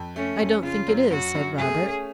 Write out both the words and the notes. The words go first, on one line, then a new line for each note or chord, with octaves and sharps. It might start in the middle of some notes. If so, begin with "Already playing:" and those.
"I don't think it is," said Robert.
Already playing: F2
A3 C#4
F2
C#3 F4
F#2
F#2 F#4
F#2
A3 G#4
C#4